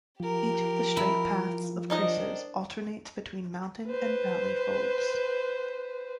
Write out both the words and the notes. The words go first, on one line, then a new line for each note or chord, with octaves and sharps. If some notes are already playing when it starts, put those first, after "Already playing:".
Each of the straight paths of creases alternates between mountain and valley folds.
F3 G4 A#4
E4
D#3 D4 D#4 C5 D#5
B4 C5